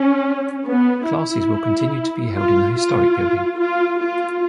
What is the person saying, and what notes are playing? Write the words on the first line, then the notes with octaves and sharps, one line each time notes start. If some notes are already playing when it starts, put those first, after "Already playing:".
Classes will continue to be held in the historic building.
Already playing: C#4
B3
E4
F4
F4
F4
F4